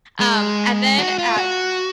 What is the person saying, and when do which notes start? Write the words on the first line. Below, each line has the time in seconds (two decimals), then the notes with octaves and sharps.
Um, and then at
0.20 G#3
0.98 F#4
1.18 F4
1.38 F#4